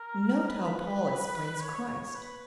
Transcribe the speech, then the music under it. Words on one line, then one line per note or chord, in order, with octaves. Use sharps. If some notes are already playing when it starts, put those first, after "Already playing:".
Note how Paul explains Christ.
Already playing: A#4
B4
C#5
B4